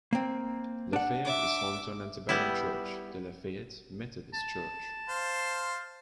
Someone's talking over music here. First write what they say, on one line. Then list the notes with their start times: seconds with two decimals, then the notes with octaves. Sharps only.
LaFayette is home to an antebellum church, the Lafayette Methodist Church.
0.13 A#3 C4
0.93 D4 F#5
1.25 E5 D6
2.29 G3 B3 E4
4.34 A5
5.09 C5 F5